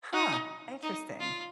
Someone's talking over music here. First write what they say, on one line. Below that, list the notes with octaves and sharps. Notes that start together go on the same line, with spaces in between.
Huh. Interesting.
D#4
D#4
F4